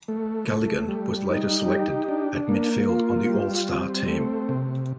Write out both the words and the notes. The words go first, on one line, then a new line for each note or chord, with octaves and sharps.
Galligan was later selected at midfield on the All Star team.
A3
A3
G3
D#4
G4
D4
A#3
F4
G3
C4
A3
C3